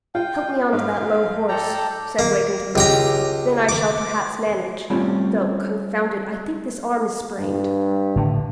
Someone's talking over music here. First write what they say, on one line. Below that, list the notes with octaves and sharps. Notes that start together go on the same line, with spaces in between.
"Help me on to that low horse," said Wakem to Luke, "then I shall perhaps manage; though--confound it--I think this arm is sprained."
F4 G5
G#2 F5
A4 D5 G5 A#5
A#3
C#2 G4 A#5
D6
G3 A3 C4 C#4 F4 C#5
G2
A2 D3